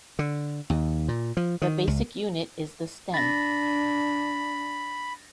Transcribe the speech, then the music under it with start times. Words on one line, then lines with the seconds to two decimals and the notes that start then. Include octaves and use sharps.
The basic unit is the stem.
0.19 D3
0.70 D#2
1.08 A#2
1.37 F3
1.62 D#3
1.87 C#2
3.14 D4 B5 A6 A#6